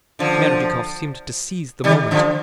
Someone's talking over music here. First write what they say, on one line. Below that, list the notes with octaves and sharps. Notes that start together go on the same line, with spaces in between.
Smerdyakov seemed to seize the moment.
D3 F3
D#3 G3
D3 F3